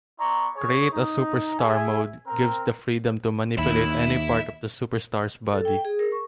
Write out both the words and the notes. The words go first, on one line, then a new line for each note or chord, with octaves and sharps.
"Create-A-Superstar mode" gives the freedom to manipulate any part of the superstar's body.
B3 E4 D5 A#5 C6 C#6
G#4 C#5
D#4
G#4 E5 G#5
C4 A#4
D#2 E5 B5
A4
G5
G#4
A#4
C#6